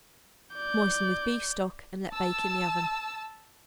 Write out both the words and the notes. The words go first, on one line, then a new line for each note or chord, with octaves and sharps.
Moisten with beef-stock and let bake in the oven.
D5 G6
A5 E6